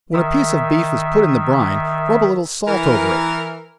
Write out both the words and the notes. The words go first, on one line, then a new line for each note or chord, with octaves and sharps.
When a piece of beef is put in the brine, rub a little salt over it.
D#3 E5
E3 A#4